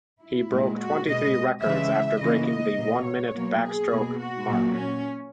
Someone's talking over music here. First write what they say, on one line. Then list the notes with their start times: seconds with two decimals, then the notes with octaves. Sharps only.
He broke twenty-three records after breaking the one-minute backstroke mark.
0.21 E4
0.50 A#2 G#3
0.78 F#4
1.06 B2 G#3 D#5
1.63 C#3 E3 G#3 E5
2.20 C#3 E3 A#3 D#5
2.48 D#5
2.77 A#2 A#3
3.05 C#5
3.34 B2 F#3 A#3
3.62 G#4
3.90 B2 A#3
4.19 F#4
4.47 A#2 F#3 A#3
4.76 C#4